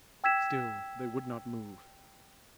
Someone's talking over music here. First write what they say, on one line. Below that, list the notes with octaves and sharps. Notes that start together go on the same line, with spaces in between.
Still they would not move.
G5 E6 G#6 B6 E7